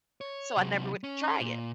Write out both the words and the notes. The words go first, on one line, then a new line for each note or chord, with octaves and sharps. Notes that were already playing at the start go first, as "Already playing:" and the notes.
so I never would, eh, try it.
C#5
C3 F#3
C#4
A#2